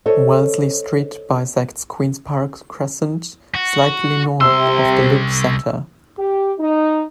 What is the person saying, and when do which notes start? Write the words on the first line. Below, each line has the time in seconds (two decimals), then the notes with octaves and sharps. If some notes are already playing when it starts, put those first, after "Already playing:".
Wellesley Street bisects Queen's Park Crescent slightly north of the loop's centre.
0.06 A4 C5 C#5 D#5
3.55 F#4
4.41 C2 C3 C6 E6
6.19 G4
6.59 D#4